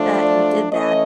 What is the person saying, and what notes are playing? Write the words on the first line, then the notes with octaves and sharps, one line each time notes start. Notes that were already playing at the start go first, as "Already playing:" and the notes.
that you did that,
Already playing: F3 A3 D4
D5
E3 A3 C#4 D#5